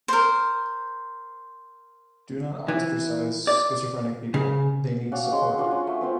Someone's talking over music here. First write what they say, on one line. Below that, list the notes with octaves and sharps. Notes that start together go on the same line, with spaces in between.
Do not ostracize schizophrenic people, they need support.
A#4 C5
E3
D5
C#3
C#4 F#4 D5 F5
G#3 C#4 C6
C#4 D4 F4 F#4
C#4
A3
B3 C4 F4